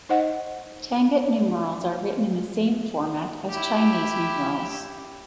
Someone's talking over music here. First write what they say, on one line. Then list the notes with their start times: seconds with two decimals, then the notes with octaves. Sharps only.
Tangut numerals are written in the same format as Chinese numerals.
0.09 D#4 C5 D#5 F#5
3.49 E4 G4